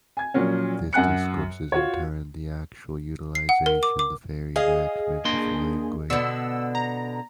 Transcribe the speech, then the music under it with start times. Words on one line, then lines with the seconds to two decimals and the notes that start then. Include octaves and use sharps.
This discourse is, in turn, the actual utilisation, the very enactment, of language.
0.17 G#5 G#6
0.34 A#2 F3 F#3 C#4
0.93 F#2 F#5 G#5 F#6 C#7
1.72 F4 F#4 C#5
3.35 C7
3.49 F#5
3.66 A#4
3.83 D6
3.99 D6
4.56 G#4 D#5 F5
5.25 A#3 D4 C6
6.10 B2 D3 B3 E6
6.75 A#5